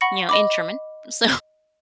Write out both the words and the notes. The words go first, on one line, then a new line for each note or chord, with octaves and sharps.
you know, in German. So,
F#5 B5 C#6 A#6 C#7
D#5 B5 D6